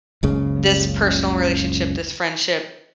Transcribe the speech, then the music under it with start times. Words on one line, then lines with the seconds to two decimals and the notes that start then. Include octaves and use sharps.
this personal relationship, this friendship,
0.23 F#1 C#2 C#3